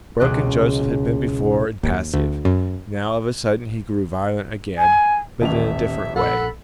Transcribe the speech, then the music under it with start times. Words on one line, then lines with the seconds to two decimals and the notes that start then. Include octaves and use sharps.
Broken Joseph had been before and passive; now of a sudden he grew violent again, but in a different way.
0.20 E1 C#2 B2 G4 F#6
1.83 D#2
2.14 D2
2.45 F#2
4.78 G#5
5.41 D#1 A1 D#2 E5 F7
6.16 A#1 A4 F#5 B5